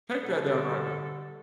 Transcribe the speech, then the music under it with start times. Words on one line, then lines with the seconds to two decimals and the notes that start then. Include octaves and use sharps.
Take that down right now.
0.23 B2 A4
0.46 D3 G3